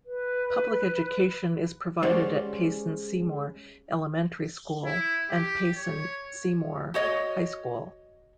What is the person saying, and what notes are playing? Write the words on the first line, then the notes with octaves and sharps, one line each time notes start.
Public education is provided at Payson-Seymour Elementary School and Payson-Seymour High School.
B4
G#3 C#4 G4 C5 D5 F#5
E4
G4
C#5
F#4 C#5 D#5